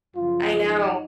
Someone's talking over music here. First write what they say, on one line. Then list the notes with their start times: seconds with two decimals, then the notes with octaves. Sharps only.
I know.
0.14 F#2 C#3 F3 F4
0.65 D#4